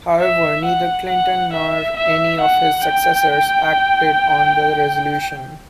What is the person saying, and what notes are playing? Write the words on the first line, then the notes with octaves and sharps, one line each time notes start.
However neither Clinton nor any of his successors acted on the resolution.
E5
F#5
F#5
E5
E5
F#5
G5